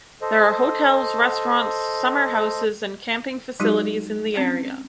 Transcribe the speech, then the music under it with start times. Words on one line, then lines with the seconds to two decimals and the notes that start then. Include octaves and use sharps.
There are hotels, restaurants, summer houses and camping facilities in the area.
0.22 A4 C5 D#5
3.60 F#3 G#3 D#4 F#4 G4
4.37 C4 C#4